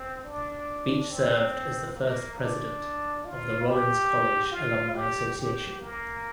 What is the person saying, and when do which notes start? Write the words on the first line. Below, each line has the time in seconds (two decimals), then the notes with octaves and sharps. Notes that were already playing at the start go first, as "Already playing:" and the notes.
Beach served as the first president of the Rollins College Alumni Association.
Already playing: C4
0.24 D4
1.10 C4
1.96 A#3
2.38 D4
3.24 F4
3.66 G4
4.51 F4
4.95 G4
5.37 G4
5.80 A#3